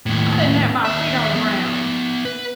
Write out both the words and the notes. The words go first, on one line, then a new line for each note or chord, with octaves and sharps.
I didn't have my feet on the ground.
D#2 A2
D#2 E5
F3 B3
B4